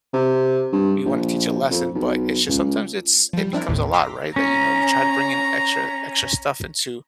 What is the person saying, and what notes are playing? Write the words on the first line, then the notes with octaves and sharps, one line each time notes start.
we wanna teach a lesson, but it's just sometimes it's it becomes a lot, right? That you know, you try to bring in extra extra stuff into
C3
G2
A#1
F2
B1
C#2
F3 G3
C4 D4 E4 A#4
G#1 D#2 A2
A#5 C6 D6 E6 A#6 B6
C#4 A#5